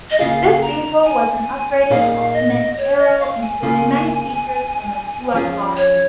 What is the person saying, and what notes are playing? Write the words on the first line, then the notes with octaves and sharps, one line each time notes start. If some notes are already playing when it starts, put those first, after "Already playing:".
This vehicle was an upgraded Ultimate Aero and included many features from the Tuatara.
D#5
C#3 A#3 F4 G#4 F5
A#5
G#5
A#2 A#3 D#4 G#4 F5
D#5
C#5
D#5
F5
G#5
C#3 A#3 F4
F3 C#4 F4 G#4
C#5